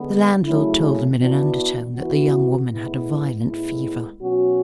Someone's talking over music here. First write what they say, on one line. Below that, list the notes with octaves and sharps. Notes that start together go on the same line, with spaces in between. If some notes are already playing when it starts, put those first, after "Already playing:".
The landlord told them in an undertone, that the young woman had a violent fever.
Already playing: D3 G#3 B3
C#3 F#3 A3 C#4 E4
E3 B3 D4 F#4
E3 B3 F#4
A2 G#3 B3 E4
A2 G#3 B3 E4
B2 F#3 C#4 F#4